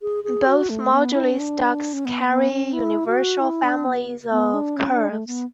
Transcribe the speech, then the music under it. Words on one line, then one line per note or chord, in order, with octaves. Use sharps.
Both moduli stacks carry universal families of curves.
G#4
G#4
F#4
A3
B3
E4
D4
C#4
D4
C#4
B3
B3
C#4
E4
F#4
E4
D4
B3
B3
D4
C#4
D4
A3
B3